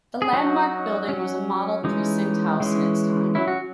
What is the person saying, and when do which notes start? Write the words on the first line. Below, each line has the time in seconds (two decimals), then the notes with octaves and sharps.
The landmarked building was a model precinct house in its time.
0.22 G#4
0.33 F#3 C#4 D#4 F#4
1.09 F#3 C#4
1.84 E3 G#3 C#4 D#4
2.60 E3 G#3 C#4
3.35 F#3 C#4 E4
3.48 F#4